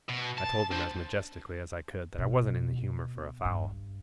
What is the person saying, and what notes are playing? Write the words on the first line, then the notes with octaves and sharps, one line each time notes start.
I told him, as majestically as I could, that I wasn't in the humour for a fowl.
B2
A5
D4 C5
B2
G2